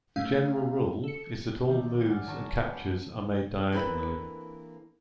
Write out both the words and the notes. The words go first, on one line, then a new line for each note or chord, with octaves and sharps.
The general rule is that all moves and captures are made diagonally.
A3 C#4 F5
A4 C#7
D#3 F3 G3 A3
D5 F#5 G#5 F6 G#6 A6
G#1 F4 G#5 A5 C#6 A#6
C#4 F4 G4 B4 F5 F#5
E3 A#3 C4 D4 A4 B4